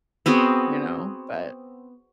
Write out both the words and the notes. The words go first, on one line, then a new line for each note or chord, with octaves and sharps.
You know, but
B3 C4 F#4 G#4